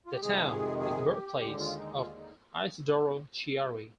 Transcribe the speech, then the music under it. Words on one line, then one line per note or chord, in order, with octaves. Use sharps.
The town is the birthplace of Isidoro Chiari.
F4
G4
F2 C3 D#3 G#3 G#4
G#4
G4
D#2 D3 G#3 G4
F4
D#4
F4
D#4